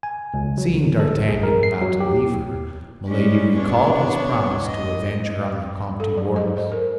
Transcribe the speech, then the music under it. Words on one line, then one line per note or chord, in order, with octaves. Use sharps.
Seeing d'Artagnan about to leave her, Milady recalled his promise to avenge her on the Comte de Wardes.
G#5
C#2
F#3
D3
A4
B1
G#4
A#4
C7
F#3
G4
G3 G#3 C#4
B3 D4 C#5
D#5
A4
F#3
D#5
C5
A#4